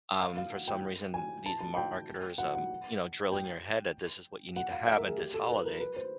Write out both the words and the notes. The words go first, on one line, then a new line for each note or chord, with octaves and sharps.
Um, for some reason, these marketers, um, you know, drill in your head that this is what you need to have at this holiday,
F5
F5
F#5
G5
G#5
A5
A5
G5
F#5
F#5
G5
F#5
F5
E5
A#4
G#4
G4
A4
B4
A#4
B4
C5